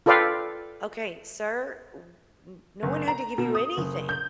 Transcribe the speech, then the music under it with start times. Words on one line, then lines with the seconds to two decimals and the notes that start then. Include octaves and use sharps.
"Okay, Sir w n no one had to give you anything!
0.06 F4 A4 B4 D5 F5 G5
2.83 F#1
3.08 A#5
3.38 B2
3.55 D#6
3.77 F#1
4.09 G6